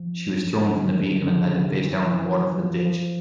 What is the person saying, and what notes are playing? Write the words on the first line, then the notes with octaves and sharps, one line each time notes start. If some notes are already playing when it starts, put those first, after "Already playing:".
She was thrown from the vehicle and landed face-down in a water-filled ditch.
Already playing: F3
D3
D#3
D3
D3
C#3
C3
E3
F3
E3
F#3
F3
F3